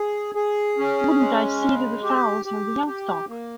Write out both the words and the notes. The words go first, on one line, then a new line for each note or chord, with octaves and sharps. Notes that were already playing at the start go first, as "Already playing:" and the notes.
Wouldn’t I see to the fowls and the young stock!
Already playing: G#4
G#4
C#4
G#3
C#3
G4
G4
G4
A#3